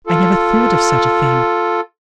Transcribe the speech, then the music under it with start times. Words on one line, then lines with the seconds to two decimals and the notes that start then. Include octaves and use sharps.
'I never thought of such a thing.'
0.07 F4 A4